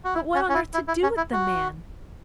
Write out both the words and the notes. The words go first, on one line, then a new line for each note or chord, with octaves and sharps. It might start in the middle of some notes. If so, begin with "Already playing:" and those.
But what on earth to do with the man?
F#4
E4
C#4
C#4
E4
E4
E4
C#4
E4
F#4